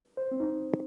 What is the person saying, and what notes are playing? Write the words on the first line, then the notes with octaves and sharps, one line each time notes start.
Setting out, I had three reasons for writing in the style I did.
C5
C4
D#4